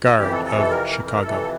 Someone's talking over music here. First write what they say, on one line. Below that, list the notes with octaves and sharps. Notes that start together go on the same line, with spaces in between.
Gard of Chicago.
F2 C3 E3 G4
A4
A4
A4
A#4
A#4
A#4
F2 C3 E3 A4